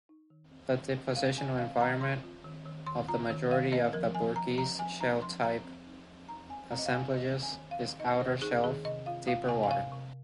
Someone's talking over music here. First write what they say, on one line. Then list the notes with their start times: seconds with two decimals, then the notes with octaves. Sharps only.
The depositional environment of the majority of Burgess-Shale-type assemblages is outer shelf, deeper water.
0.09 D#4
0.30 D#3
0.52 C4
0.74 D#3
0.94 C4
1.16 G#3 F5
1.37 D#3 G#5
1.58 D#3 F5
1.80 D#3 A#5
2.01 C4 C6
2.23 F4
2.44 D#3
2.66 D#3
2.87 D#3 C6
3.08 F4 A#5
3.30 D#3
3.51 D#3 F5
3.72 A#3 D#5
3.93 F3 A#4
4.15 F3 G#5
4.36 F3 A#5
4.58 F3 A#5
4.79 F3 G#5
5.01 D#4 A#5
5.22 F3 C6
5.43 F3 A#5
5.65 C4
5.87 D#4
6.07 F3
6.29 D#4 A#5
6.50 C4 G#5
6.71 C4 A#5
6.79 D#5
6.86 F5
6.93 C4 G#5
7.14 D#3 D#5
7.36 D#3
7.43 G#5
7.57 D#3
7.71 F5
7.79 D#3
7.99 D#4 D#5
8.21 D#3 C5
8.42 D#4 G#4
8.64 D#3 G#4
8.85 C3 D#5
9.06 F4 F5
9.27 F4 F5
9.49 C3 G#5
9.63 G#5
9.71 C3 F5
9.92 C3